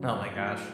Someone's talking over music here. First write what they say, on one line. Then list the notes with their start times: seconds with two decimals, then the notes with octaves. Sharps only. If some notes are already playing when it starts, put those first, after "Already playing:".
Oh my gosh.
Already playing: F#2 C#3 F#3
0.34 A2 F#3 A3